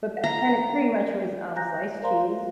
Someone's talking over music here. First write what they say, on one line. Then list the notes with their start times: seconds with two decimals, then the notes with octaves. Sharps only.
But back then it pretty much was, um, sliced cheese,
0.24 A#5
1.56 G#5 A#5 F#6 G6 A#6
2.02 A#4 C5 D5 F5 A#5 C6